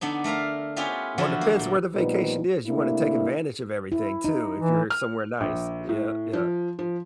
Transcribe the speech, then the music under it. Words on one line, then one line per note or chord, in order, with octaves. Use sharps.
Uh, well, depends where the vacation is, you wanna take advantage of everything too if you're somewhere nice. Yeah, yeah.
D3 B3 D4 D#4
A3 A#4 E5 F5
B3 C#4 E4 F4 G4
D3 E3 F3 B3 E4 F#4
A#3
A#2
A#2 F3 G3 B3 D#4 B4
C3 A3 A#3 D4 E4
E4
D#4
E3
F6
A#1
A2
F3
F3